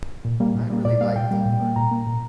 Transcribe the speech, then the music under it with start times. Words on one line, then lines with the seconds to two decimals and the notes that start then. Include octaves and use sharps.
I really like Deep Learning.
0.25 A#2
0.40 G3 A#3
0.55 A#2
0.70 G3 A#3
0.85 A#2 D5
1.01 G3 A#3 F5
1.16 A#2 G5
1.31 G3 A#3
1.46 A#2
1.61 A#3
1.76 A#2 A#5
1.91 A#3
2.07 A#2